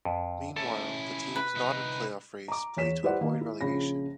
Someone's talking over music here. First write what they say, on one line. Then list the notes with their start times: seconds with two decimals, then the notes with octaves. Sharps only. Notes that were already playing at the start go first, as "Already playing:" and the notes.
Meanwhile, the teams not in playoff race play to avoid relegation.
0.05 F2
0.56 C#4 E4 A4
1.36 B4
1.55 C2 D#4
2.48 A#5 D6
2.77 E2 C#5 B6 E7
3.03 G3 E4 B4 C5 D5 F#5
3.21 D#3 A#3
3.41 E4
3.61 A#1 C#3 B5 A#6